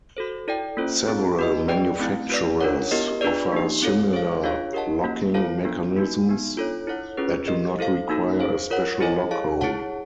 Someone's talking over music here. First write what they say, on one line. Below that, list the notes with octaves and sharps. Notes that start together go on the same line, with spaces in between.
Several manufacturers offer similar locking mechanisms that do not require a special lock hole.
F#4 A4 C5
E4 A4 D5 G5
A#3 C#4 F4 A4 C5
C4 F4 G#4
F#4 B4 D#5
G#4 B4 D5 G5
A3 C4 E4
F#4 B4 D5
D4 F4 A#4 C#5 F#5
B3 E4 G4 A#4 D#5
D4 F4 G#4 B4 D5
A#3 D#4 G4
C4 F4 A4 C#5
G#4 C5 F5
D4 F4 G#4 C#5 F5
G4 A#4 D#5 F#5 A5
A#3 C#4 F#4
F4 A4 C5 F5 A5
B3 D4 F4
A#3 D#4 F#4
B3 D#4 F#4
D4 F4 A4 C#5
E4 A4 C#5 F#5
C#4 F4 G#4 B4
G4 A#4 D#5
E4 A4 C5 F5
A#3 D#4 F#4 A4
G#4 C5 F5
F4 A#4 C#5 F#5
E4 A4 C5 D#5 G#5
G#4 C#5 F5 A5
E4 G#4 C#5 F#5 A5